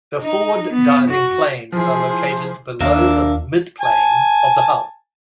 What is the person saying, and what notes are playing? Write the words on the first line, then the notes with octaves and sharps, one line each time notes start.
The forward diving planes are located below the midplane of the hull.
D#4
B3
F#4
E3 F3 G#4 C5
D#2 D4 A#4 E5 F5
G#5 A5